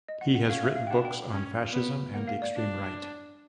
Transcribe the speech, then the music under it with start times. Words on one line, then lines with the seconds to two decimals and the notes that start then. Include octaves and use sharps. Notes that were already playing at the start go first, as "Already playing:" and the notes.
He has written books on fascism and the extreme right.
0.08 D#5
0.21 F#5
0.35 F#5
0.49 C#4 F5
0.64 E5
0.76 F5
0.87 G5
0.90 D4 F#5
1.05 G5
1.32 C#4
1.72 B3
2.14 A#3 F#5
2.27 F5
2.42 D5
2.56 D4